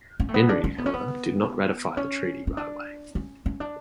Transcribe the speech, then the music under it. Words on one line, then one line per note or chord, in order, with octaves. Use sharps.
Henry, however, did not ratify the treaty right away.
C#4
A3
B3
D4
C#4
B3
C#4
B3
C#4
C#4
D4
C#4
C#4
D4